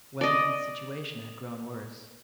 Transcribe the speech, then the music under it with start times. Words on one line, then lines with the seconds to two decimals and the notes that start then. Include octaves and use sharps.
Wellington's situation had grown worse.
0.21 D5 D#5